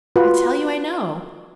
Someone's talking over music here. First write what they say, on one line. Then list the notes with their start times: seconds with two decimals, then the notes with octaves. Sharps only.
"I tell you I know."
0.16 F4 F#4 B4